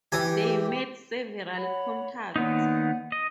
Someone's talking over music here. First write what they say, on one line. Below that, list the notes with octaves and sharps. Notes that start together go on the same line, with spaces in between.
They made several contacts.
E3 G4 G#5
C#5 F#5 B5
D#3 A#3 B3 D#4 C#5 D5 F#5
D#5